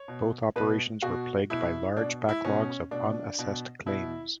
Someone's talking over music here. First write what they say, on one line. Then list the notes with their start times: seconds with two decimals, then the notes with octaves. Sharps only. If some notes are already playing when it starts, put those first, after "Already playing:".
Both operations were plagued by large backlogs of unassessed claims.
Already playing: C#5
0.08 B2
0.56 B2 B4
1.02 B2 F#4
1.50 B2 E4
1.97 B2 D4
2.29 E4
2.45 B2 C#4
2.91 B2 D4
3.39 B2
3.86 B2 E4